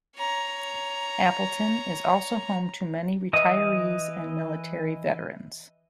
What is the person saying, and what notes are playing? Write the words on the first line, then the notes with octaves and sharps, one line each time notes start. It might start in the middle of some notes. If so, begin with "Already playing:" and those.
Appleton is also home to many retirees and military veterans.
C#5 A#5
E3 D#5